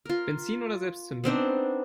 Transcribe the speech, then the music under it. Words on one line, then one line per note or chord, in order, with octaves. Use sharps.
Benzin oder Selbstzünder?
F4 A#4
B3 C4 D4 D#4